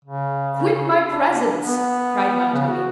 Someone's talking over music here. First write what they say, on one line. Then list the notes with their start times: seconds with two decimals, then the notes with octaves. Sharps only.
'Quit my presence!' cried Montoni.
0.05 C#3
1.07 D4
1.63 B3
2.53 C#3
2.68 F#4